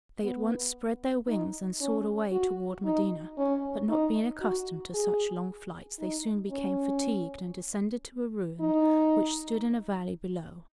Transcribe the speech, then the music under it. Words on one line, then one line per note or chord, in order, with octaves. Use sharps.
They at once spread their wings and soared away toward Medina, but not being accustomed to such long flights, they soon became fatigued and descended to a ruin which stood in a valley below.
B3
D#4
C#4
F#4
D#4
C#4
D#4
F#4
G#4
D#4
C#4
D#4